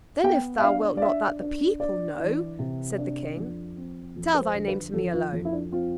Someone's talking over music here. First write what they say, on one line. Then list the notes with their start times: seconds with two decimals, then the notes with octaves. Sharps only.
"Then if thou wilt not that the people know," said the King, "tell thy name to me alone."
0.23 B3 G5
0.59 E5
0.62 D4 F5
0.97 D5
1.02 D4 E5
1.41 D4
1.80 D4 D5
2.19 E3
2.59 C3
2.98 D4
3.37 F2
3.77 C4
4.16 F2
4.35 B4
4.42 C5
4.55 D3
4.68 B4
4.94 F2 A4
5.14 F4
5.33 F2
5.45 E4
5.53 D4
5.72 C4 F4